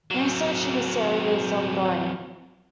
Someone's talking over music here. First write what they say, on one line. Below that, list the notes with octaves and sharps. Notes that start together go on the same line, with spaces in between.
Research in this area is ongoing.
F#3 C4